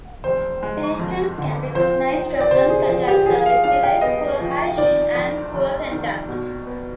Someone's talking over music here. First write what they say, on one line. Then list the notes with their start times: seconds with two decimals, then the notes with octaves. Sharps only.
Patients can recognize problems such as service delays, poor hygiene, and poor conduct.
0.24 F1 C5
0.63 G#3
0.99 F2
1.38 D3
1.75 F3 C5
2.13 D#4
2.40 D5
2.51 C3 C5
2.70 G#4
2.89 F3
3.08 G4
3.26 F3 G#4
3.46 F5
3.64 D4 F5
3.83 G5
4.01 B3 D#5
4.40 F3
4.77 D#3 D5
5.15 F2
5.53 F1
5.91 D#3
6.29 B2
6.67 B3